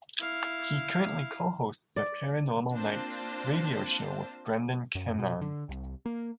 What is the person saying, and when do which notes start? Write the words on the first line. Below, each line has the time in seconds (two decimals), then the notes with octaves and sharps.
He currently co-hosts the "Paranormal Nights" radio show with Brendan Keenan.
0.21 E4 F5
1.96 D5
2.72 A#3 C4 D4 F4 C5 A5
4.95 F#2
5.19 B2
5.41 D3
5.69 C2
6.06 A#3